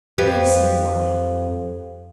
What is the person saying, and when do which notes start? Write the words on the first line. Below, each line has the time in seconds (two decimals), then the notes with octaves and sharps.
We have seen why.
0.18 F2 G4 B4